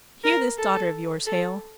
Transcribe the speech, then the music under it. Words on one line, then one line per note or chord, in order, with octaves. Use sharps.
'Hear this daughter of yours, Hale.
A#4
A4
A4